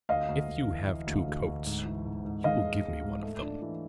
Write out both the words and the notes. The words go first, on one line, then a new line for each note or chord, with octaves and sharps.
If you have two coats you will give me one of them.
D2 D#5 F5
D2
D2
E3
E3
D2
D2
D2
G#2
E3
G#2
G#2
G#3 D#5 F5
G#3
G#3
G#2
A3
D4
E3